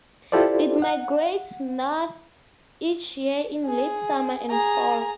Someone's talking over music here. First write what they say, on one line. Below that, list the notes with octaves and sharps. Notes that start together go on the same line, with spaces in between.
It migrates north each year in late summer and fall.
E4 F4 G4 A4 C5 D5
F#5
G#4
G#4 A#5